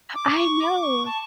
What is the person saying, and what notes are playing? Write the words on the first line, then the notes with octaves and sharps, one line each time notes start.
I know!
D6
C#6
D6
C#6
A5